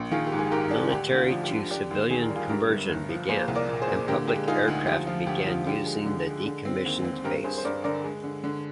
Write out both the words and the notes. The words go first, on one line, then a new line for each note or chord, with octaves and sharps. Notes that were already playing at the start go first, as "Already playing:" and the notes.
Military to civilian conversion began, and public aircraft began using the decommissioned base.
Already playing: A#1
D#3 F4 G#4
G4
G#2
G#4
G#2 G4 A#4
D4
D2 G4
D2
F4
F3
G4
D3
D4 G4
D#2
D#3 G#4
A#4
G3
F4 G#4
G2 G4 A#4
G1
G1
F3
A#3 G#4 C5
C2
A#4 D5
A#2
G#4 C5
A#2
D3 G4 A#4
G#3 G4
D#4 F4 G#4
D2 F4
F3 G4
F3 F4
D2 G4
F3 F4
D3 G4
G#3
D3
G#3
D3
C4
D#2
C4
G2 G4 A#4
G2 G#4 C5
C5
G2 A#4 D5
D3 A#4 D5
G#3
D3
D3